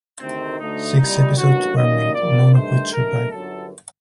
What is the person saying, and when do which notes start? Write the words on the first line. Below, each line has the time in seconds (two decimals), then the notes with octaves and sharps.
Six episodes were made, none of which survive.
0.20 D2 C3 D#3 C4
0.59 D2 D3 A3 D#4
0.98 C2 A#2 G3 D#4
1.37 A1 G2 F#3 A#3 F#4
1.76 F#2 D#3 G3 A#3 D#5
2.15 A#1 A#2 G3 A#3 D5
2.54 G2 D#3 A3 C5
2.93 G1 F#2 D#3 A3 A#4
3.31 G1 F#2 F#3 A4